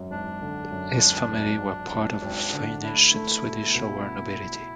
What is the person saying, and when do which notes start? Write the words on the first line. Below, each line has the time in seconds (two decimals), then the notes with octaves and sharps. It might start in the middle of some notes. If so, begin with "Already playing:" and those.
His family were part of the Finnish and Swedish lower nobility.
Already playing: G#1 F#2
0.11 G#1 D4
0.42 D3
0.71 F#2
1.02 G#1
1.32 G#1
1.63 G#1
1.93 G#1
2.23 G#1
2.53 D3
2.84 A3 E4
3.14 A3
3.45 B2
3.75 B2